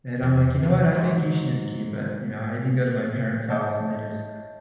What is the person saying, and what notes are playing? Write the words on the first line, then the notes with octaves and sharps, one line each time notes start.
And I'm, like, "You know what? I think you should just keep it." You know, I even go to my parents' house and they just
E2
C3
G#2 F#3
C#5 D#5 E5 A5 G6